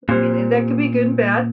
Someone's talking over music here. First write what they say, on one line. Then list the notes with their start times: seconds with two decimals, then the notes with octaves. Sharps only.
I mean, and that could be good and bad.
0.09 A#2 C4 G4 C5